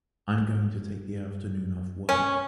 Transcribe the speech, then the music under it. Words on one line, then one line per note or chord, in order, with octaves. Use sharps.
I’m going to take the afternoon off work.
C#4 G#5